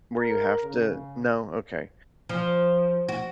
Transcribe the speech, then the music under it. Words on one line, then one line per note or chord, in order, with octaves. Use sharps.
Where you have to No? Okay.
A#4
C#3
F3
F#4